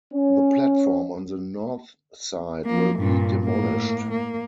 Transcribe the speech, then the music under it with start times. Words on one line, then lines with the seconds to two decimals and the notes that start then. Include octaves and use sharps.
The platform on the north side will be demolished.
0.13 C#4
2.66 F3 A#3
2.99 G2 A#2
3.45 A2 A#3
4.10 A#3